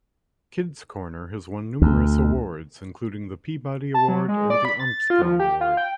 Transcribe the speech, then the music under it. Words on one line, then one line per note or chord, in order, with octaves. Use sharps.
"Kids Corner" has won numerous awards, including the Peabody Award and the Armstrong Award.
D2
A5
F#3
G#3
D5
B5
A6
F4
F3
G4
F4
G5